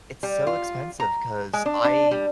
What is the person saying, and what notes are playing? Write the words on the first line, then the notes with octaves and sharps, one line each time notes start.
it's so expensive 'cause I
G3
F4
A#5
G#3
D4
D4
G3